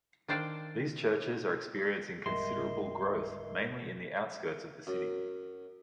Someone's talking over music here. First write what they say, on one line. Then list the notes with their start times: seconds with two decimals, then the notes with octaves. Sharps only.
These churches are experiencing considerable growth, mainly in the outskirts of the city.
0.28 D#3 D4 C5 D5 F5 G5
2.26 E1 D2 G#2 G3 A#4 D#5 E5 C6
4.87 F#2